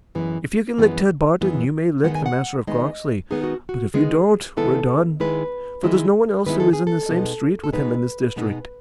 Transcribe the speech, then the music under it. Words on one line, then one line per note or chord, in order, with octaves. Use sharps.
If you can lick Ted Barton you may lick the Master of Croxley, but if you don't we're done, for there's no one else who is in the same street with him in this district.
F#2 E3 G#3 B3
F#2 E3 G#3 B3
F#2 E3 G#3 B3
D#3 G#3 B3 D#4 F#5
G#5
F#5
D#3 G#3 B3 D#4 D#5
D#3 G#3 B3 D#4 G#4
F#4
F#4
D#3 G#3 B3 D#4 G#4
D#3 G#3 B3 E4 A4
D#3 G#3 B3 E4 B4
D#3 G#3 B3 E4
D#3 G#3 B3 E4 B4
A4
G#4
A4
B2 G#3 B3 D#4
A4
B2 G#3 B3 D#4 B4
B2 G#3 B3 D#4